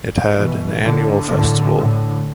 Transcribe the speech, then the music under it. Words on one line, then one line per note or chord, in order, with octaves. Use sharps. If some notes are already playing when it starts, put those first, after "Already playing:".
It had an annual festival.
B2 E3
A2 D3
A2 D3
A2 D3